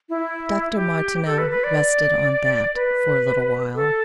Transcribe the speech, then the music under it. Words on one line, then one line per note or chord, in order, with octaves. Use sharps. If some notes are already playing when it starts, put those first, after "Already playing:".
Dr. Martineau rested on that for a little while.
E4
G4
A4
B4
B4
D5
B4
A4